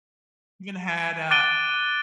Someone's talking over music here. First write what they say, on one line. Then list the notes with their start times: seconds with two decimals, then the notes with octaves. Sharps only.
even had a
1.31 D6 F#6 A6 D7 D#7 G7